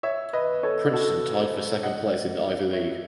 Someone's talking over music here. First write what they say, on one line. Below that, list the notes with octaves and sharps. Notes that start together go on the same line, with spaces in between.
Princeton tied for second place in the Ivy League.
C#5 E5
B4 D#5
A4 C#5
F#4 A4
D#5 F#5
C#5 E5